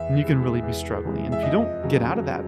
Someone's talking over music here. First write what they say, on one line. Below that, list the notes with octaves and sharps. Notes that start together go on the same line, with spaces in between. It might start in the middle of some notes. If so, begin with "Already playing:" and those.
and you can really be struggling and if you don't get out of that,
Already playing: E2 E5
C3 E3 G#3
E2
C3 E3 G#3
E5
F2 D#5
C#3 F#3